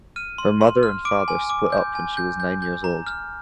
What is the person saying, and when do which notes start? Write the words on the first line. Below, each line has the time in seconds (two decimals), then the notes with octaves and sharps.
Her mother and father split up when she was nine years old.
0.16 F6 D#7
0.38 C6
0.61 C6
0.83 F6
1.05 D6 D7
1.28 G#5
1.50 D6
1.72 G6
1.95 G#5
2.17 G6
2.40 G6
2.62 G6
2.84 A#5
3.07 F6